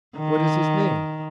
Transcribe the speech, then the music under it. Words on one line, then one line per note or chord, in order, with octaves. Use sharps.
"What is his name?"
D#3